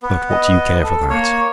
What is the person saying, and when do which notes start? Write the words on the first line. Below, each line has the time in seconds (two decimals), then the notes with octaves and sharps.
But what do you care for that?
0.03 B3
0.29 D#5
0.84 A4
1.10 A#3 C#5